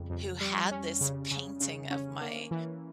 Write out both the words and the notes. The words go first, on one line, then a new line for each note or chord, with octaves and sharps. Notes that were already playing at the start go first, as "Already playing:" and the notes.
who had this painting of my
Already playing: F2 C#3 G3
F2
G3
C#4
C#3
C#3
C#3
C#4
A#3
E3